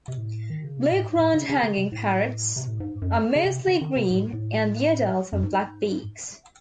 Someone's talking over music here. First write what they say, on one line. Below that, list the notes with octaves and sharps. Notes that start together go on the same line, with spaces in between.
Blue-crowned hanging parrots are mostly green and the adults have black beaks.
C3
A2
D#3
C#3
C3
A2
G#2
A2
C#3
C#3
C#3
C3
A2
C3
A2
G#2
F#2
C#3
C3
C#3
D#3
C3
A2
A2
F#2
G#2